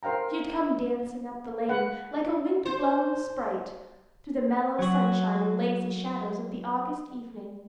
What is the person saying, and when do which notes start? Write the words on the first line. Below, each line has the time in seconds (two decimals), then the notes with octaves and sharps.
She had come dancing up the lane, like a wind-blown sprite, through the mellow sunshine and lazy shadows of the August evening.
0.03 A#4 C5 F5 G5 A#5
1.69 B4 F#5
2.65 C5
4.79 F#3 F#4